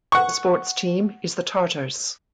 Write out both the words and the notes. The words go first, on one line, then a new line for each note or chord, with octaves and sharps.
The sports team is the Tartars.
F#5 C#6